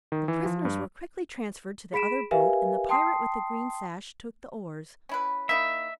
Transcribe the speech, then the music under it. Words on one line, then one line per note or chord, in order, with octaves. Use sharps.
The prisoners were quickly transferred to the other boat, and the pirate with the green sash took the oars.
D#3
E3
F3
G2
G#4 B5 B6 D7 E7
G4 A#4 B4 E5 F5 G#5
G5 A5 C6 D#6 C7
C#4 E4 B4
A#3 D#4 E4 E5